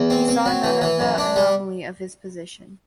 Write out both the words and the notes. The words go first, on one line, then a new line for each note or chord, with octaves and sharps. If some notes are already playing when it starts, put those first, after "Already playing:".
He saw none of the anomaly of his position.
Already playing: E2
C4
C4
F#3
E3
E3
F#2
D4
G3